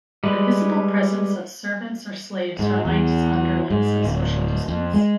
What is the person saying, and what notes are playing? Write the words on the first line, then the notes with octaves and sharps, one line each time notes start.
The visible presence of servants or slaves reminds underlings of social distance.
G3 G#3 B4
G#2
E2
G#2
D1
F2
G#3